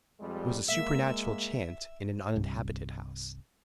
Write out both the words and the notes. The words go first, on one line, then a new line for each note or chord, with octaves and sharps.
It was a supernatural chant in an uninhabited house.
F2 G3 G#3
G#3 A#3 E5
C2 G2